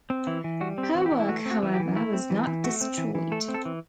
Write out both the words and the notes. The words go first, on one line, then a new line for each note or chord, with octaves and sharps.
Her work however was not destroyed.
C4
E3 E4
E3
G3 F#4
C4
G4
E3
F#4
G4
E3
E4
A3 F#4
C4
F#4
E3
G4
E3
A3 E4
C4
E3
E3
A3 F#4
C4
E3
E3
A3 A4
C4
A4
E3